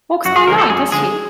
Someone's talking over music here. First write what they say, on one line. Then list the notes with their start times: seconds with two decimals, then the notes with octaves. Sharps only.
Walks by night, does she?
0.25 F#2 F#4
0.36 G#4
0.47 D3 F3 G#3 A#4
0.58 A4
0.69 F#2 G#4
0.92 D3 F3 G#3 G#4